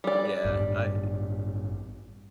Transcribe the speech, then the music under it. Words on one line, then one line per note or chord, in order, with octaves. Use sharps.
Yeah. I hate it.
G3 D5
A1 G2